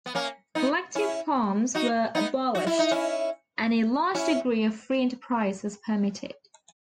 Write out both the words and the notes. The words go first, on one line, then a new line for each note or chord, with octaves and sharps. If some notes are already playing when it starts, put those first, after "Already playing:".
Collective farms were abolished, and a large degree of free enterprise was permitted.
B3
A#3 C#4
B3 D#4
C#4 E4
D#4 F#4
B3 D#4
F#4
E4
D#4
C#4 E4
C#4 E4